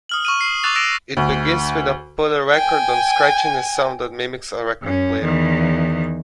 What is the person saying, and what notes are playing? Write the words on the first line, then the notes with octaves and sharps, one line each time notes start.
It begins with a "put-a-record-on scratchiness" sound that mimics a record player.
D#6 F6 F#7
C#6 F6 D#7
C7
C#6 D6 E6 F#6 A6 F7
D6 E6 F#6 A#6 D7 E7
D2
G5 G#5
F#2 C#4
E2 D#3